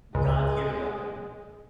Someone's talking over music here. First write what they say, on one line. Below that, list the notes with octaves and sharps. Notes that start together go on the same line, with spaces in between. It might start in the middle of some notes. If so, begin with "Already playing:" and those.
God's given weapon.
C#2 G#3